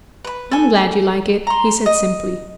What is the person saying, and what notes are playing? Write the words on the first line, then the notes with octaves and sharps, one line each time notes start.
"I am glad you like it," he said simply.
B4 B5
A4 G#5
A#5 C6
D#5